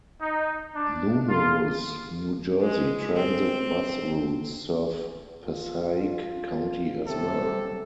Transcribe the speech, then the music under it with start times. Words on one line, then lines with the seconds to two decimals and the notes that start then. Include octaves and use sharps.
Numerous New Jersey Transit bus routes serve Passaic County as well.
0.22 D#4
0.75 D4
1.28 F4
2.62 G#3
3.16 C4
5.44 F4
7.07 C3 F#3 G3 A4